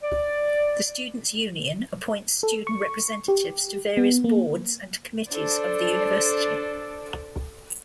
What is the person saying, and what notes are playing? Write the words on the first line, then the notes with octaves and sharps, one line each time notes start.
The students' union appoints student representatives to various boards and committees of the university.
D5
A4
C#6
G4
B3
A#3
D4 A4 C5 D5